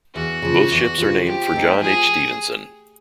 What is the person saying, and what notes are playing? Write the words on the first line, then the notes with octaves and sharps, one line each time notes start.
Both ships are named for John H. Stevenson.
E2 F#4
C#3 F3
E2
C#3 F3
F3 G4
A3 C4 D#4
F3 G#4